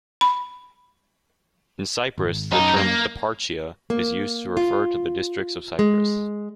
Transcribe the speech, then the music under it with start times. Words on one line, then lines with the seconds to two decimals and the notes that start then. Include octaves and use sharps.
In Cyprus, the term "eparchia" is used to refer to the Districts of Cyprus.
0.21 B5
2.18 G#1
2.52 B1 F#2 D#4
2.77 A#3
3.90 A#3
4.57 F4
5.79 G#3